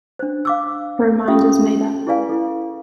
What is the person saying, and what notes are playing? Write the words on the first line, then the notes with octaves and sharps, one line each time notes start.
Her mind was made up.
D4 C5
F5 D6 E6
C#4 F4 G4 E5 D#6
A4
E4 G#4 B4 D5 F5 G#5
E4 A4